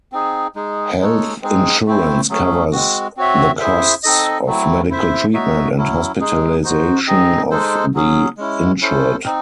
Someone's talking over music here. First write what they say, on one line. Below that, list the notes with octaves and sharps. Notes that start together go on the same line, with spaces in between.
Health insurance covers the costs of medical treatment and hospitalisation of the insured.
C4 D#4 G#4
G#3 D#4 G#4
G#3 D#4 A4 C#5
G#3 C4 D#4 G#4
A3 C4 E4 C5
F#3 A3 C#4 G#4
G#3 C4 F#4
C4 F#4 C#5 E5
E4 G#4 C5 E5
C4 D#4 A4 D#5
F#3 A3 C4 E4
E4 C5 E5
D#4 F#4 C#5 E5
F#3 C#4 E4
G#3 D#4 G#4
D#4 F#4 C5
C4 D#4 G#4 D#5
G#3 D#4 A4 C5
F#3 C#4 G#4
G#3 C#4 E4
C#4 E4 A4 C5
C4 D#4